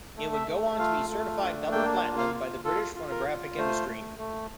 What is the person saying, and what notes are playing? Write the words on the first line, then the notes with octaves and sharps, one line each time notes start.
It would go on to be certified double platinum by the British Phonographic Industry.
A3
E5
A3
F4 F5
A3
D4
A#3 G5
F4
F5
F4
F4 A4
F4
A#4
F4
A3 C5
A3
A3